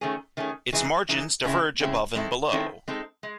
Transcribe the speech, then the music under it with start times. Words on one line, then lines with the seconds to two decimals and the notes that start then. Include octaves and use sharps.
Its margins diverge above and below.
0.01 D#3 A3 C#4 G#4
0.37 D#3 A3 C#4 G#4
0.73 E3 G#3 D#4
1.09 E3 G#3 D#4
1.44 C#3 G#3 C4 E4
1.80 C#3 G#3 C4 E4
2.15 D#3 G#3 C4 E4 A4
2.52 D#3 G#3 C4 E4 A4
2.88 G#3 C4 D#4 A4
3.23 G#3